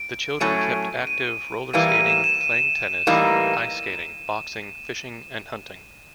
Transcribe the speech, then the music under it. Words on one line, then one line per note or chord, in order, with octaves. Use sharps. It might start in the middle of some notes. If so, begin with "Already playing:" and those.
The children kept active roller-skating, playing tennis, ice-skating, boxing, fishing and hunting.
Already playing: D7
A2 F#3 A3 C#4 D#7
D#7
E3 G3 A#3 D#7
D#7
E7
E7
D#7
A2 E3 G3 A#3 D#4